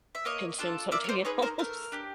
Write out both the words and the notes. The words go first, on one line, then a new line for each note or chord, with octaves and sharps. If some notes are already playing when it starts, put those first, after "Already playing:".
consume something else.
E5
A#3 C#5 D#5
D4 F4 A4
A#3 D5 E5
C#5
C5 D5
D#4 G#4 B4 C#5
A#4 C5
A3 A#4
D4 G4